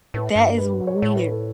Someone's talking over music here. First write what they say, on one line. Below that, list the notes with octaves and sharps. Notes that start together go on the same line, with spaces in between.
That is weird.
A2 B4
G2
B4
C#5
A2 C#5
B4
A4